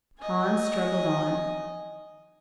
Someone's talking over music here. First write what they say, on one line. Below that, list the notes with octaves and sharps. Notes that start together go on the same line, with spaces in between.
Hans struggled on.
D#5 G#5